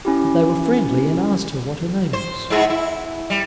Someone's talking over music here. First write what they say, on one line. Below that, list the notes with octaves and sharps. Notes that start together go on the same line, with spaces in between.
But they were friendly and asked her what her name was.
C#4 E4 G4
C5
G#2 E4 G#4
E4
G3